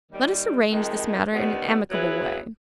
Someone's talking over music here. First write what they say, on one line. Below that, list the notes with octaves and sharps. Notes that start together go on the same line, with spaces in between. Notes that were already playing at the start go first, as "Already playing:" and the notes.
Let us arrange this matter in an amicable way.
D#2 D#3 G3
F2 C3 D#3 G#3
D#2 D#3 G3 B3
F#3 B3 E4 G#4 B4